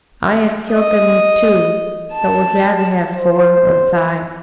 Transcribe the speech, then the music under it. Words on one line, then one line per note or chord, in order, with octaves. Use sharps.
I have killed them with two, but would rather have four or five.
D#5
A5
C5